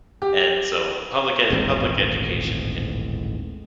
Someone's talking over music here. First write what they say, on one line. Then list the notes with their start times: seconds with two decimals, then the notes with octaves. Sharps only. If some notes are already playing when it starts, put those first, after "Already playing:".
and so public ed public education can
0.22 G4
1.50 D#1 A1 G#2 C4